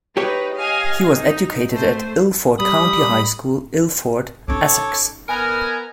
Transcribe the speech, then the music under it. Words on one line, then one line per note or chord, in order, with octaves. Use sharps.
He was educated at Ilford County High School, Ilford, Essex.
D#4 G4 B4 C#5
D#5 F5 G#5
D#4
A3 C5
G3 B5 D#6
C#4 D#4 A4 C#5 D6
B3 A#4 B4 D#5 G#5